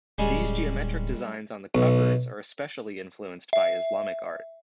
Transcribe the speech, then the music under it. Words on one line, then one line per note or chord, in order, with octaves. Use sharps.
The geometric designs on the covers are especially influenced by Islamic art.
D1 G3 G#3 C#4
B1
E5